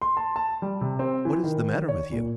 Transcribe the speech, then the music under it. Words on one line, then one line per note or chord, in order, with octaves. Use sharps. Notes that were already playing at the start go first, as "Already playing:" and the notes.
"What is the matter with you?"
C6
A5
A5
G3
C3
C4
E3
D#3
C#5
A#2